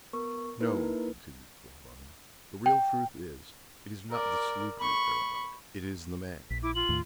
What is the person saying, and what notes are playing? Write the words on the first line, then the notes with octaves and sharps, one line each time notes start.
"No," continued Clawbonny; "the real truth is, it is not the sloop you care about: it is the man."
B3 A#4 C#6
A#3 D#4 E4 A#4 B4
G5
A#4 D5
B5 C#6
A#1 B6
E4 D6
F4 F#7
D#2 A2